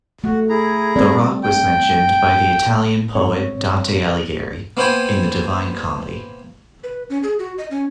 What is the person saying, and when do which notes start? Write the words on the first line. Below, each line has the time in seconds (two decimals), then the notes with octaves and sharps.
The rock was mentioned by the Italian poet Dante Alighieri in the "Divine Comedy".
0.24 A3 F#4
0.49 E4 G#4 A#5
0.96 G3 C4 D5
1.43 G5
3.15 G#2 C4 C#5
4.77 A#3 B3 E4 C5 G5 G#5
6.83 B4
7.10 C#4
7.23 G#4
7.39 F#4
7.58 D#5
7.71 C#4